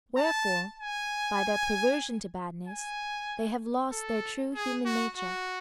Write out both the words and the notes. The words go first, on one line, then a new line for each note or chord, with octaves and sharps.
Wherefore, by their perversion to badness, they have lost their true human nature.
A5
G#5
G#5
A4
G#4
F#4
F#4